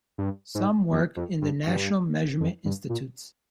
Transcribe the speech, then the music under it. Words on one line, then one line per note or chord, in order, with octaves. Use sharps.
Some work in the National Measurement Institutes.
G2
G#2
F2
F2
G2
G2
F2
G2
A#2